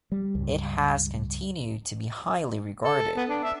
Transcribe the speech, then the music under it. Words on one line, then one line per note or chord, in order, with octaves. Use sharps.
It has continued to be highly regarded.
G3
C#2 G2
A4
B3
D4
E5